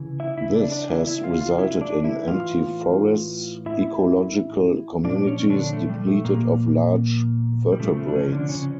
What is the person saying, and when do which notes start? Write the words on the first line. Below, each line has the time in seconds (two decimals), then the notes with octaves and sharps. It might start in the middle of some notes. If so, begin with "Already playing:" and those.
This has resulted in empty forests, ecological communities depleted of large vertebrates.
Already playing: C#3 E3
0.20 E4 E5
0.38 E4 E5
0.55 D4 D5
0.72 D4 D5
0.90 E4 E5
1.06 E4 E5
1.23 F4 F5
1.41 F4 F5
1.58 E4 E5
1.81 D4 D5
2.04 E4 E5
2.27 A2 E3 F4 F5
3.66 E4 E5
5.04 A#2 F3 D4 D5
5.27 C#4 C#5
5.39 C#4
5.50 D3 D4
5.73 A3
5.90 G3
6.07 A3
6.25 A#2 A#3
7.72 G3
7.79 C#3 F3 A3
7.97 A3
8.08 D4
8.15 C#3 C#4
8.32 D3 D4
8.49 C#3 C#4